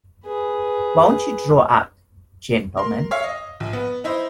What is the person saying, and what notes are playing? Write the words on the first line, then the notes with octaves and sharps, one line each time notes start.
Won't you draw up, gentlemen.
G#4 B4
A#4 C6
C#5 E5 F5
D#5
A#1
B3
D#4 E4 C5